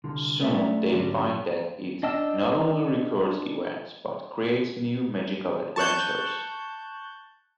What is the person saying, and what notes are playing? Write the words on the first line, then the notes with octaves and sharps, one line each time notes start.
Soon they find that it not only records events, but creates new magical adventures.
C2 D3 F4
A3 C#4 A4 D5 E5
G#2 D3 F#3 G3 C#4 F#4
D4 D#5 G5 A5 E6
A5 C#6 F#6 G6